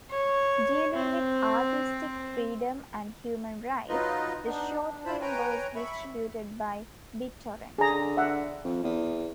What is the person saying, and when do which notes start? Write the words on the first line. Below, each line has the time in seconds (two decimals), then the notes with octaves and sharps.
Dealing with artistic freedom and human rights, the short film was distributed by BitTorrent.
0.10 C#5
0.95 C4
3.89 F#3 D#4 F4 B4 D#5
4.45 B3 D4 D#4
4.82 D4
5.05 E4 F4 C5 A5 B5
5.21 B4 C#5 G5 G#5 A#5
5.75 E5 B5 C#6
7.78 D3 G#4 A#5
8.17 E5 F#5
8.64 F2
8.84 E2